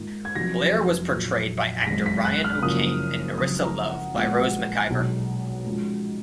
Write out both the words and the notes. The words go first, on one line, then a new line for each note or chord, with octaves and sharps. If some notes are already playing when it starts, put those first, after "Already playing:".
Blair was portrayed by actor Ryan O'Kane and Nerissa Love by Rose McIver.
Already playing: G#2 D#3 A#3 F4
G#6
F1 F2 D#3 F#3 A#6
A#1 A#2 F#3
B6
G#1 F#2 D#3 G#3 A#6
B6
F#6
F6
F#1 F#2 F3 A#3 C#4 D#6
G#1 F#2 C#3 F3 D#6
A#5
F#5
A#1 A#2 G#3 B3 F#5
B1 B2 G#3
G#2 F3 G#3 C#4 F4